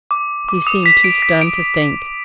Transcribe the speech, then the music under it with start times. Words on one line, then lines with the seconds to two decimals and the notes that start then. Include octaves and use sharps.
He seemed too stunned to think.
0.11 D6
0.49 D6
0.67 D#6
0.86 B6
1.04 D7
1.22 B6
1.41 D7